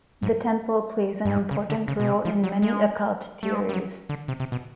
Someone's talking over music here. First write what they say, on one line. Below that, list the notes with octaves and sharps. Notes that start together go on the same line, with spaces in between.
The temple plays an important role in many occult theories.
G#2
G2
G#2
C#3
D3
C#3
B2
C3
F3
F#3
G#3
A3
G#3
G3
F#3
D3
C3
C3
B2